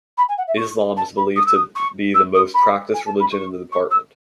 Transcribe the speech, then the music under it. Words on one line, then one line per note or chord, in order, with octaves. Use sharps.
Islam is believed to be the most practiced religion in the department.
B5
G#5
F#5
E5
C#6
A5
B5
D#6
E6
D#6
C#6
E6
D#6
B5
G#5
A5
B5
C#6
C#6
E6